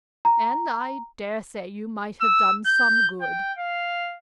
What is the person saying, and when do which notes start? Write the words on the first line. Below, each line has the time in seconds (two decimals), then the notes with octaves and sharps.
And I dare say you might have done some good.
0.25 A#5
2.21 E6
2.66 G6
3.22 G5
3.58 F5